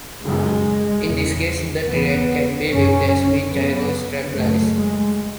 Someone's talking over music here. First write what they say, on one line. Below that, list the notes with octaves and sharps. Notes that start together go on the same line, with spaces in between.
In this case, the triad can be viewed as being gyrostabilized.
F#2 C#3 G#3
E2 C#3
E2 C#3 B3
F#2 C#3 C#4
F#2 C#3 B3
F#2 C#3 A3
G#3